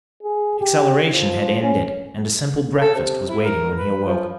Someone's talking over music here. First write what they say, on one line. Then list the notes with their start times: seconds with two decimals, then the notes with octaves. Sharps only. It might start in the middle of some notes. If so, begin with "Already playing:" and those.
Acceleration had ended, and a simple breakfast was waiting when he awoke.
0.23 G#4
0.60 G4
1.11 F3
1.63 C#4
2.81 A4
2.94 C3
3.29 E4
3.44 A#4
3.75 B4
4.04 F3